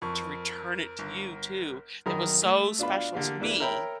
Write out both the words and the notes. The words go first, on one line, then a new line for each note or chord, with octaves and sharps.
to return it to you too," it was so special to me
F2 A#4 C#6
G1
F#2 D#3 A#4 B5 D#6
A3
B2 D4 F4 B4 B5
D3 A#3 G4 F5
E2 A#3 D4 E4 B4 F#6
A#4 C#5 E5 G5 A#5 B5